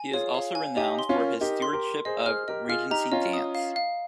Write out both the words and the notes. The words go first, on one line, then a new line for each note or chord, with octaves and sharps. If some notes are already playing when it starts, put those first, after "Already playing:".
He is also renowned for his stewardship of Regency dance.
Already playing: G#5
F4 G#4 C#5
F5
G#5
D#4 G4 G#5
C6
C#4 F4
A#4
D#4 G4 A#4
C6
G4 A#4
C6
G#4 C5 D#5
G#4 C5 F6
G4 A#4 D#5
G4
F4 G#4 F6
D#4 G4 A#5
C#4 F4 D#5
D#6
F5
F5